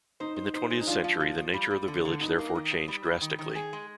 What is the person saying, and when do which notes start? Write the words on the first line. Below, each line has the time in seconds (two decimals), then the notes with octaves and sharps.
In the twentieth century the nature of the village therefore changed drastically.
0.20 D#4 C5
0.36 C5
0.54 D#4 C5
0.70 G#3
0.80 D#4
0.87 F3 D4 F4
1.04 F3
1.20 F3
1.38 F3
1.54 G3
1.70 G3
1.88 D3
2.05 D3
2.21 G2 D#4
2.38 A#3
2.55 D#3
2.71 G2
2.88 G3
3.05 G3
3.21 D#3
3.39 D#3
3.55 G#4
3.73 G#3